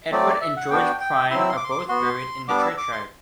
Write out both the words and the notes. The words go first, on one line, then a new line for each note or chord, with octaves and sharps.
Edward and George Prynne are both buried in the churchyard.
F#3 A3 C4 D5
E5
F#5
B3 D4 F#4 G5
G5
F#3 C4 E4 C6
E6
C6
D6
C6
D6
C6
B3 F#4 C6
G3 B3 D4 D6
E6
D6
C6